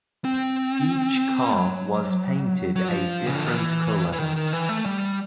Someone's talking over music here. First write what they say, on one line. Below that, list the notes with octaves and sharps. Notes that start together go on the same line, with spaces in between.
Each car was painted a different color.
C4
F#3
F#3
F3
C#3
D3
D#3
E3
E3
D#3
D#3
E3
A3
G3